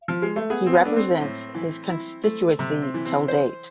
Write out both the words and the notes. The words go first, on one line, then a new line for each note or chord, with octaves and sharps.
He represents his Constituency till date.
F3
G#3
A3
B3 G#4
C4
B3
A3 D4
C4
A2
E3
E4
A3
C3
C4
E3
C4
C5